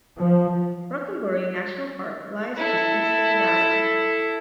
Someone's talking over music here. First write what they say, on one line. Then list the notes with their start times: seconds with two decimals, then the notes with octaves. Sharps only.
Rohkunborri National Park lies just east of the valley.
0.18 F3
2.57 E4 A4